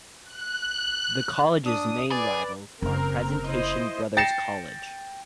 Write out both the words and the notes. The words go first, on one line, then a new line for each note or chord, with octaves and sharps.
The college's main rivals are Presentation Brothers College.
F#6
D4 D#6
G#4 B4 D5
F#1 C4 A#4
E4 C5 D#5
G5 A6 A#6 C7 C#7 E7